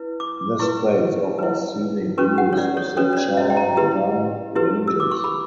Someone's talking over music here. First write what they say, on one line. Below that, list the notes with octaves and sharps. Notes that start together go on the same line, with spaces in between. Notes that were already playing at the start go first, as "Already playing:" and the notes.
This place offers scenic views of the Char Dham ranges.
Already playing: E4 B4
D6
E4 B4 C#6
E4 B4
C#4 F#4 B4 C#6
F#5
C#5
D5
C#5
C#4 F#4 B4 C#5
C#5
D5
E5
G5
A#5
E4 G4 B4
E4 G4 B4
E6
D6
C#6
B5